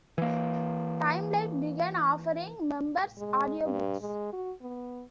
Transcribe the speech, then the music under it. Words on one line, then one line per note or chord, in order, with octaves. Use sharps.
Time-Life began offering members audiobooks.
E3 A#3
G#3
G2
G#3
F#4
B3